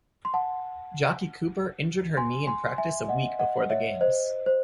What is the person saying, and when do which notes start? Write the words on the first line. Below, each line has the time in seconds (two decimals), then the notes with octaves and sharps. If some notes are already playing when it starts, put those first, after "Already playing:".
Jacqui Cooper injured her knee in practice a week before the games.
0.25 C6
0.34 F#5 A5
2.17 G#5 C6
2.47 G#5 C6
2.78 E5 G#5
3.08 D#5 F#5
3.39 D#5 F#5
3.70 C#5 E5
4.01 C5 D#5
4.46 C5